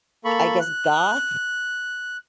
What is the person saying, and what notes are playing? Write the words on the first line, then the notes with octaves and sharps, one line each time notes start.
k I guess, goth,
A#3 A4 B5 C#6
F#6